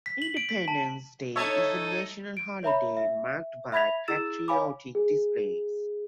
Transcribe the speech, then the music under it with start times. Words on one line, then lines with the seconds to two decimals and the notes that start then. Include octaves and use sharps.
Independence Day is a national holiday marked by patriotic displays.
0.06 B6
0.22 F#7
0.37 D7
0.49 B6
0.68 A5
1.36 D#4 A4 C#5 D#5 E5 A5 G#6
2.37 D7
2.63 C#5 E5 A#5 B5
2.97 E5
3.72 E5 B5 G#6 B6 F7
4.08 E4 G#4 E6 A6 E7
4.48 C#5 F5 G#5 B5 D6
4.95 G#4